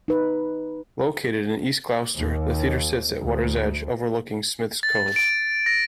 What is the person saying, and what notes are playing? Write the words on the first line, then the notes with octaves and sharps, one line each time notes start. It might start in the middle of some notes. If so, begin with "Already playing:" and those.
Located in East Gloucester, the theatre sits at water's edge overlooking Smith's Cove.
D#4 B4
D#2
D2
A6
D7
A#6